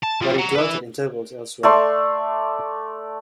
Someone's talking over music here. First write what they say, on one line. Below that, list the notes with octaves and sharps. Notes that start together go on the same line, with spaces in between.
But he dwelt at intervals elsewhere.
A5
F3 G3
F#5 A#5
E4 B4
A3 D5 C6